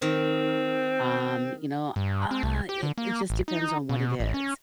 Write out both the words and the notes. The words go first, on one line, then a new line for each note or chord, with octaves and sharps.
um, you know, ah, it it just depends on what it is,
D#3 C4
G2
C4
C2
G4
D3
A#3
A1
D#4
B2
A1
C#4